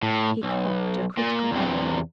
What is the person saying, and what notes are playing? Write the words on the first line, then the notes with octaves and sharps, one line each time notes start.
He cocked a critical eye.
A2
B1
A#2
E2 C3